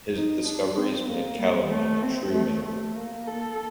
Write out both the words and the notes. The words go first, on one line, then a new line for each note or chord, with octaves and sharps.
His discoveries made calamine a true mineral.
D#4
D4
C4
A#3
G3
A3
C4
A3
A3
A#3
A4